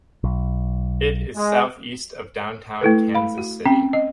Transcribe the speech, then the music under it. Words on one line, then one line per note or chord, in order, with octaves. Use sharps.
It is southeast of downtown Kansas City.
B1
G#3
A3 E4 A4 B4
F5 B5
F#4
C4 C#4 G5
D#5